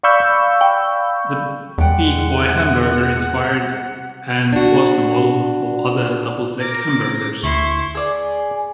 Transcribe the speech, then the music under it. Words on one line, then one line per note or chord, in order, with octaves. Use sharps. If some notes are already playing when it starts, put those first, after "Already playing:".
The Big Boy hamburger inspired and was the model for other double deck hamburgers.
D5 F5 B5 C#6 E6 G6
E2 G3 G#3 F#5 G5
D4 F#4
A#4 D6
D2 E4 C6 C#6
G#4 D5